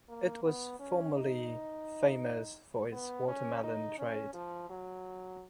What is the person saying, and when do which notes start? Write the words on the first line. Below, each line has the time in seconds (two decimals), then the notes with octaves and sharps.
It was formerly famous for its watermelon trade.
0.09 A#3
0.44 B3
0.79 C#4
1.15 D#4
2.92 B3
3.28 C#4
3.63 D#4
3.99 C#4
4.34 F3
4.70 F#3